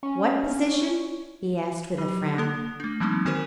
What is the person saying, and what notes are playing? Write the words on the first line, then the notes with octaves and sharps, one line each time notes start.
"What position?" he asked, with a frown.
C#4
F#3 G4
A#3 A4
A3 D4
E3 F#3 G#3 A#3 C4 D#4
D#3 C4 F#4 A#4 C5 E7